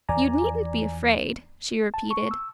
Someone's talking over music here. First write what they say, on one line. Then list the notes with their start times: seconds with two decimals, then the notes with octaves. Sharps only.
"You needn't be afraid," she repeated.
0.09 E2 E3 F3 D5 G#5 A#5
1.94 A5
2.11 C#6
2.31 E6